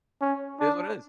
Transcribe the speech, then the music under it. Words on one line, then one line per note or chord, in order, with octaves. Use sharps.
it is what it is.
C#4
D4